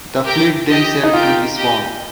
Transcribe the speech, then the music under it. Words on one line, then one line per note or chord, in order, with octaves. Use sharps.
The fleet then sailed to Lisbon.
G4 A#4 G5
G4 D#5 G5
D#4
F4 G4 A#4 G5
G4 D#5 G5